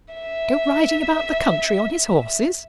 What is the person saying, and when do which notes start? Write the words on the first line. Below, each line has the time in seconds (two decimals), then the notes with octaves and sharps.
Go riding about the country on his horses!
0.14 E5